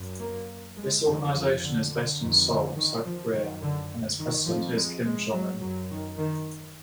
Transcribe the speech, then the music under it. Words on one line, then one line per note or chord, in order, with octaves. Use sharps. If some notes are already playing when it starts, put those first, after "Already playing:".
This organization is based in Seoul, South Korea and its president is Kim, Jong-Yun.
Already playing: F#2
A#3
G#3
F2 D#3
F3
D3
D3
F2 D#3
D3
D#3
F3
F#2 D#3
D3
D#3
F2 F3
G#3
G#3
F#3
F#2 F#3
D#3
D#3